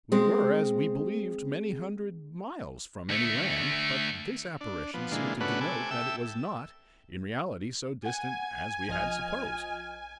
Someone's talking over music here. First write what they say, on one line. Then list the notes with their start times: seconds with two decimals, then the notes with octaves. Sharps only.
We were, as we believed, many hundred miles from any land; but this apparition seemed to denote that it was not, in reality, so distant as we had supposed.
0.12 G#3 C4
3.09 D2 A3
4.61 D4
4.94 F3 B3
5.12 A#2 D3 E3 G#3 F4
5.41 C#3 A3 B3 D4 F#4 B4
5.61 C3 A4 G#5 D6
5.91 A4 E5 G5 E6
8.05 F#5 G#5
8.89 A#1 F3 D#5 F6